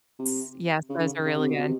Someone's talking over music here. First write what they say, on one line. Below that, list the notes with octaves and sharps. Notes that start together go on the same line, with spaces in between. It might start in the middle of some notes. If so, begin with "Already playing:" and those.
Ts Yes. Those are really good.
C3
C#3
D3
C#3
C#3
C3
B2
C3